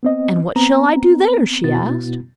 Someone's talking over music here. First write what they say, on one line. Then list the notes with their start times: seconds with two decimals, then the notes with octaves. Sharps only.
'And what shall I do there?' she asked.
0.03 B3 C4 D#5
0.56 B3 C4 A#5
1.64 B2 B3 E4 F#4 A6